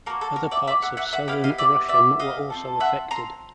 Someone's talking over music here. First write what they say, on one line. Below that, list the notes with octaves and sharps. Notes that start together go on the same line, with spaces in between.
Other parts of Southern Russian were also affected.
A#3 D#4 F#4 A#4
A4
A#4
D5 E5
D5 E5
E5 F#5
E5 F#5
E5 F#5
B3 E4 G4 F5 G5
D#5 F5
D5 E5
D5 E5
D#5 F5
C4 F4 A4
E5 F#5
A#5 C6